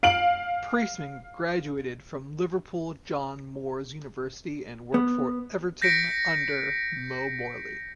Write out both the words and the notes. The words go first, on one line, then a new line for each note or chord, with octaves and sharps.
Priestman graduated from Liverpool John Moores University and worked for Everton under Mo Morley.
F5 D7 F#7
B3
G6 A#6 B6 C#7 D7